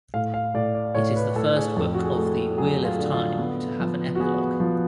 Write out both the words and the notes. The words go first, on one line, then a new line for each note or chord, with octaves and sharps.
It is the first book of the "Wheel of Time" to have an epilogue.
A2 F5
F5
A2 D5
D5
A2 C#5
B4
A2 A4
G#4
F2 A4
F#4
G#4
A3
F#3 G#4
F4
D3
F4
B3
F3
F#4
B3 G#4
F3